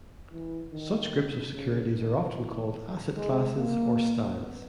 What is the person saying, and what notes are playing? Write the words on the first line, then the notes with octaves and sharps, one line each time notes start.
Such groups of securities are often called "asset classes" or "styles".
E3
D#3
C#3
D#3
E3
G#3
A#3
B3